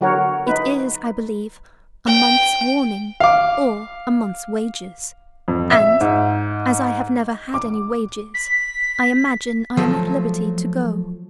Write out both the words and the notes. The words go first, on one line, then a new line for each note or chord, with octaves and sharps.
It is, I believe, a month's warning or a month's wages; and, as I have never had any wages, I imagine I am at liberty to go.
D3 F#3 F#4 A#4 C#5
D#4 B4
G5
F5 D6
F2
E5
G#2
D6
B6
F3 F#3 A3 A4